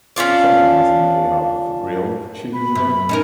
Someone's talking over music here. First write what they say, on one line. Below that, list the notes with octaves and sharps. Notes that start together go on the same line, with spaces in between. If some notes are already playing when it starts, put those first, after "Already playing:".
Sometimes, it may have grilled cheese in it.
C#4 D4 F4 D5
B5
F#2
C#4 D#4 A#4